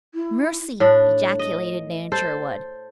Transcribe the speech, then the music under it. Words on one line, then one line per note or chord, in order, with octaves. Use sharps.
"Mercy!" ejaculated Nan Sherwood.
E4
A2 D4
D#5
A4 C5